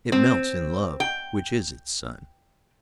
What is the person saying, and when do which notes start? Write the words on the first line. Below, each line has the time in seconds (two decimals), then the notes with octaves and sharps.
It melts in love, which is its sun.
0.12 C4
1.00 G5